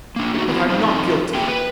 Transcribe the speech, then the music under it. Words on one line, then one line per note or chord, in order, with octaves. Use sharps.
But I'm not guilty.
A#3 D4
F#3 A3 D#4 F#4
E3 B3 C4 E4
E3 F3 C4 D#4 F4
A#3 G#4 E5 G5
B4